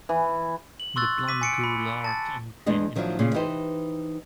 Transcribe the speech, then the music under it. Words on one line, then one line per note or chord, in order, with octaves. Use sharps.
The plant grew large and green in the window.
E3
F#7
C6 C#6 E6 F#6 A6
D6 B6 D#7
G#5 C#7 D7
B5
A5 A6
E2 G#3 D4 D#5
D#3 F3 F#3 D4 E4
A#2 C#3
E3 D#4 G4 B4 C5